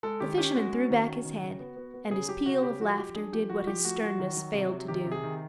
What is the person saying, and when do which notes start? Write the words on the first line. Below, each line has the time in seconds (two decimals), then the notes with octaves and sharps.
The fisherman threw back his head, and his peal of laughter did what his sternness failed to do.
0.03 G#3 A4
0.20 D#3 G4
0.38 C#4 G4
0.55 G#3 F#4
0.73 C#4
0.90 D#3
1.07 C#4
1.25 D#3
1.42 C#3
1.60 B3
1.77 B3
1.94 B3
2.11 C#3 G#4
2.29 F#3 G4
2.46 C#3 F#4
2.63 C#3 G4
2.80 F3 F#4
2.98 F3 G4
3.15 D4 G#4
3.32 F3 G4
3.49 F3 F#4
3.67 F3 G4
3.84 A3 F#4
4.02 F3 F#4
4.19 D#3
4.37 F#3
4.54 C3
4.71 F#3
4.88 D#3 G4
5.06 C3
5.12 G#4
5.23 D#3